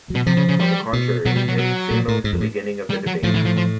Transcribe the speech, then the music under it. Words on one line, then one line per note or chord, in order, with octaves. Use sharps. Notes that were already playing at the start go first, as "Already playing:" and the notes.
On the contrary, it signalled the beginning of the debate.
B2 F#3
C3 F3
C#3
C#3
G3
B2
B2 F#3
G3
F#3
F#3
A#2
A2
G#2
F2
A2
G3
F#3
A2 F3
E3
F3
F3